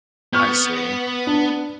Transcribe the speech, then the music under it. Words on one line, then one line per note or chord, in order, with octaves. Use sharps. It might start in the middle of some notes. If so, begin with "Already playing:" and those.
I see.
B3 C#6 F6 G6
D4